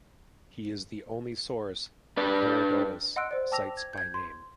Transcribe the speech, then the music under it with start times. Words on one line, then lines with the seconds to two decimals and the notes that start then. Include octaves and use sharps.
He is the only source that Herodotus cites by name.
2.17 D4 B4 D5
3.16 D#5 F#5 C6 E6 F#6 D7
3.31 C5 D5
3.52 G5 A5 D6 E6 A#6 F7
3.77 G#6
3.93 G6 G#6
4.14 C6